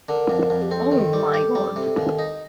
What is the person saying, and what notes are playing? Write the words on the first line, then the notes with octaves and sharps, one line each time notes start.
Oh, my God!
D3 A#4
F2
F2
G4
C4 A4
D#3
G3
G4
G3
C3
D#2
D#4